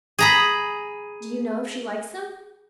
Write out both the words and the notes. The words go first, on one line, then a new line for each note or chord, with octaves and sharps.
"Do you know if she likes them?"
G#4 A#5 B5